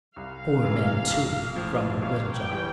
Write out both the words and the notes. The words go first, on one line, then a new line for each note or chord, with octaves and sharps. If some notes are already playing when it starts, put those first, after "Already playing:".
"Poor men, too," grumbled Little John.
C2 F5
C3 E3
A#1
A2 F3
G1 F5
G5
E3 G3